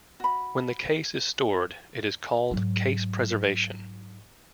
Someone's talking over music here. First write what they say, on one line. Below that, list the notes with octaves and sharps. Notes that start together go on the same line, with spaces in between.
When the case is stored, it is called case preservation.
F#4 B5
G#2 F#3